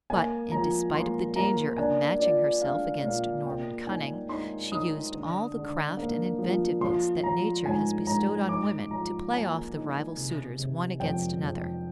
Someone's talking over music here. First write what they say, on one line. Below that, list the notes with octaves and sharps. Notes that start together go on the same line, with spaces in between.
But, in despite of the danger of matching herself against Norman cunning, she used all the craft and inventiveness that Nature has bestowed on women to play off the rival suitors one against another.
A#3 G#5
F3 A#5
A#3 C6
A#3 A#5
D4 G#5
F4 D5
D4 F5
A#2 F5
A#3 G5
D#4 G#5
D#4 C6
D#4 D#6
D3
D3
A#3
F3
F3 C6
F3 A#5
G#2 G#5
G#2 A#5
D#4 D6
F3 A#5
A#3 G#5
D#4
C3
C3
F2 G5
F2